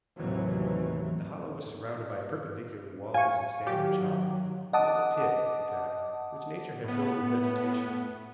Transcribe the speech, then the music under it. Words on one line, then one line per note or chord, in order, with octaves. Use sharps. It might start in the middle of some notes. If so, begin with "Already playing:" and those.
The hollow was surrounded by perpendicular walls of sand and chalk; it was a pit, in fact, which Nature had filled with vegetation.
D#2 A2 C3 E3 F#3
F5 G#5 C#6
D#3 F#3 G4
D#5 F#5 A5 D6 D#6
A2 B3